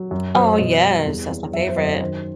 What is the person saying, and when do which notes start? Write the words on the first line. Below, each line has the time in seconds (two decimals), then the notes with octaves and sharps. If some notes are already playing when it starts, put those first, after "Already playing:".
Oh, yes. That's my favorite.
Already playing: F#3
0.11 F#2
0.35 F#2 C5
0.58 B2 D#5
0.82 G3
1.06 E2
1.30 E2
1.53 F#2 E5
1.68 C5
1.77 F#2 D#5
2.01 D#3 C5